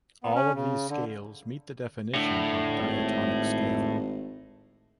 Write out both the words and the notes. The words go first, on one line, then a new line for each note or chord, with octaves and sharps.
All these scales meet the definition of diatonic scale.
B3
C#4
C#3
D3
A2 D3
G#1